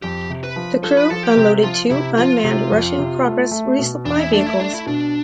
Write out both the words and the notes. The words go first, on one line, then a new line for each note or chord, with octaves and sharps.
The crew unloaded two unmanned Russian Progress resupply vehicles.
F2 G4
C3
B4
F3
F3 A4
B4
F3 A4
G4
C3
F3 F4
C3 E4
F3 F4
C3
F2
C3
A3
A3
B2
E2 D4
E4
A3 D4
E4
A3 D4
E4
B2 D4